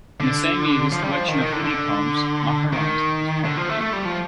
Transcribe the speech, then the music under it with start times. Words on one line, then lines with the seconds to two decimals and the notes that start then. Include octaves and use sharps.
In the same year his collection of Hindi poems "Makarand" was published.
0.20 D3
0.92 F3
1.03 G3
1.12 F3
1.28 D#3
1.41 D#3
1.52 D3
1.64 D3
2.73 D#3
3.45 D3
3.57 F3
3.69 A3
3.81 A3
3.93 G3
4.05 F3